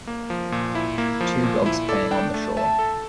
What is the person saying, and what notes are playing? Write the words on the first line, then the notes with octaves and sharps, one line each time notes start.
Two dogs playing on the shore.
A#3
F3
A#2
E4
A#3
F3
A#2
E4
A4 D5
D4 G5
A3 A5
E5 A5
A4